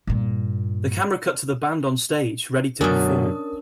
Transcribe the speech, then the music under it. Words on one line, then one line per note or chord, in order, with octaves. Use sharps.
The camera cut to the band on stage, ready to perform.
G2 A#2
F#2 B2 D3 F#3 C#4 D4 A#4 D#6